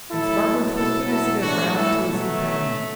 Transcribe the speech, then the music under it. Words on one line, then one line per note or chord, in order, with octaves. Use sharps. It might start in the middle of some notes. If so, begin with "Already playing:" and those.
And Spargo twisted his head round to his companion.
A2 F#3 E4 A4
B2 F#3 E4 A4
E4 A4
A2 E3 D4 F#4
E4 A4
B2 F#3 A3